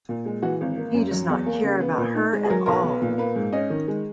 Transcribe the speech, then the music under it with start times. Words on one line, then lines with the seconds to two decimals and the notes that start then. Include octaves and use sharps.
He does not care about her at all.
0.09 A#2
0.26 G#3
0.42 E3 F#4
0.61 G#1
0.77 A#3
0.94 F#2
1.11 F#3
1.30 E2
1.46 A#3
1.64 C#3
1.80 B3
1.98 A#2
2.15 D#4
2.33 G#3
2.44 G#4
2.50 F#3 A#4
2.66 B1 A#4
2.72 B4
2.84 B3
3.02 A#2
3.18 A#3 B4
3.36 G#2
3.52 C#4 D#5
3.70 D#3
3.88 G#3